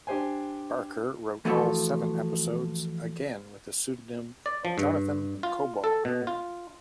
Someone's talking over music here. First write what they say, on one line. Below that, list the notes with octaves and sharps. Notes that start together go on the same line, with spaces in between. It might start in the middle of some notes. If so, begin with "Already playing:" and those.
Barker wrote all seven episodes, again with the pseudonym Jonathan Cobbald.
D4 G4 C5 G#5
E3 F3 A3 F4 F#4 A4
D5
F3
G2
F4
A4
B2
F4